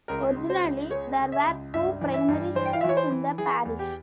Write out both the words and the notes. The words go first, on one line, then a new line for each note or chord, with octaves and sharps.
Originally, there were two primary schools in the parish.
C#2 A#4
C#2
C5
C#2
C#3 C#5
C#3
E5
C#2
G2 E5
E3
E5
G2
E3 C5
G5
F5
E5
E3
C#5
C5
E3
E3 G#4
E2
G4